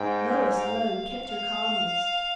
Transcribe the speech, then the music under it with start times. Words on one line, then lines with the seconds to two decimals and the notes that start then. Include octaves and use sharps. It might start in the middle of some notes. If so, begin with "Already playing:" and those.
Lois alone kept her calmness.
Already playing: G#2 G5
0.57 F5
1.26 F5